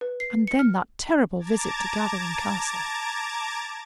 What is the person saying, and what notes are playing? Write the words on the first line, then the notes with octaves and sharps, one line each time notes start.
And then that terrible visit to Gatherum Castle!
B4
C7
C#7
F6
A5 A#5 D6 G#6 A6